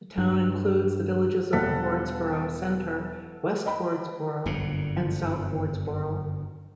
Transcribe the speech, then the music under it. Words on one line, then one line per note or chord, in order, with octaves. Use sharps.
The town includes the villages of Wardsboro Center, West Wardsboro and South Wardsboro.
G2
E1 G3 A4 F5 F#5 B6
D#5 G5 B5
G1 F#2 A#2 D3